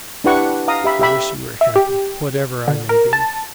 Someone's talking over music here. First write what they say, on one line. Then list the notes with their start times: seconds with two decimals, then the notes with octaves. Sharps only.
"I wish you were happy, whatever I may be!"
0.24 D4 E4 G4 B4 F#5 C#6
0.68 F5 A#5 D#6
0.84 G4 E5 B5
0.99 G4 E5 B5
1.61 E5
1.76 G4
2.68 D3
2.89 A#4
3.13 A5